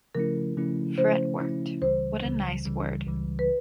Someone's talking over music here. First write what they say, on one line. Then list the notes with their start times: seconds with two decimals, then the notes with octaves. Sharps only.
Fret-worked, what a nice word!
0.15 C#3 F3 A3 C#4 E4 A#4
0.57 C#3 F3 A3 C#4 E4
0.98 C#3 F3 A3 C#4 E4 C5
1.40 C#3 F3 A3 C#4 E4
1.82 C#2 C#3 E3 G3 C5
2.24 C#2 C#3 E3 G3
2.65 C#2 C#3 E3 G3
3.07 C#2 C#3 E3 G3
3.39 B4